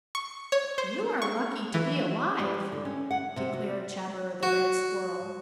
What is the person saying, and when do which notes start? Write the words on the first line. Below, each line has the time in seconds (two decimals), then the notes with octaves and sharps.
"You are lucky to be alive," declared Chatterer the Red Squirrel.
0.15 C#6
0.52 C#5
0.78 C5
1.22 C#6
1.74 E3
2.40 G3
2.54 G4
2.72 D3
2.85 C#4
3.11 F#5
3.36 C3
3.53 F#4
4.43 F#4